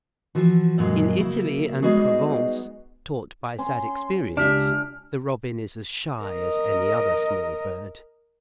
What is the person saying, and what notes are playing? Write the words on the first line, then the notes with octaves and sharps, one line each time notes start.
In Italy and Provence, taught by sad experience the robin is as shy as any other small bird.
E3 F3 F#4
F#2 A#2 D3 F#3 G#3 C4
C#3 F#3 A#3 E4
G3 G#3 B3 D#4 F#4 G#4
C#4 C6
C#2 D4 G4 E5 F6
A#4 D#5